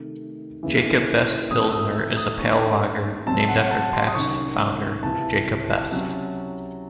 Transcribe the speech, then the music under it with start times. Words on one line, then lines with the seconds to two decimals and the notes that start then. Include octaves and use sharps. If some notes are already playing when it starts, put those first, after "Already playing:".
"Jacob Best Pilsner" is a pale lager named after Pabst's founder, Jacob Best.
Already playing: C3 D#3 A3
0.63 D#2 C#3 E3
1.51 A2 E3 C4 D#4 D#6
1.69 E6
1.72 D#6
1.95 E6
2.17 D#6
2.39 D#2 D#3 A3 C#4 C#6
3.27 C3 F#3 C4 A5
3.49 F#5
3.71 A5
3.93 C6
4.08 D#6
4.15 C2 C3 D#3 F#3 C#4 C#6
5.03 C#2 C3 E3 C4 A5
5.91 C3 F#3 C#4